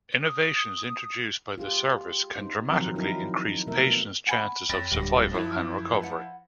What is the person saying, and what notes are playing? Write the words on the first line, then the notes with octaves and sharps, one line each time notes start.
Innovations introduced by the service can dramatically increase patient's chances of survival and recovery.
D#6
F4 G4 G#4
D#4 C5
D#3 F3 F#3 C4 A#4
F#3 D#4 E4 A#4
B2 A3 B3 A#4 E5
F#5 G#5 B5
F2 C#5 G5 B5 A6 A#6
D1 D2 G3
F#2 F3 E4
B4 F#5